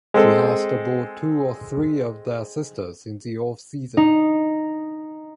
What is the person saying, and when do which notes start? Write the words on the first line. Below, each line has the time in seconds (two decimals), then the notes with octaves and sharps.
She has to board two or three of her sisters in the off season.
0.14 G#3 C4 A4
3.97 D#4